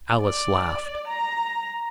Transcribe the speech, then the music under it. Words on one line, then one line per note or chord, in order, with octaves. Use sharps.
Alice laughed.
D5
A#5